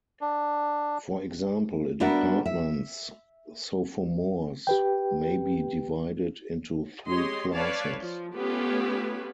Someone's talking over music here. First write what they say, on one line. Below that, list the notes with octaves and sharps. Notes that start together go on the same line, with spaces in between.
For example, a department's sophomores may be divided into three classes.
D4
G3 B3 D4 F#4 A#4 E5
E5
G4 B4 G5
G#3 G4 C#5 D#5 C6
B4 C#5 D5 F5 A5
F3
A3 B3 C#4 F4 G4 B4